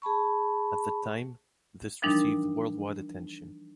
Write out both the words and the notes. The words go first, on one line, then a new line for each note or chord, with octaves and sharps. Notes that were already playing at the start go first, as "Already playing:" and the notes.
At the time, this received worldwide attention.
G#4 A5 B5 C#6
E3 F3 G3 D4 D#4 A#4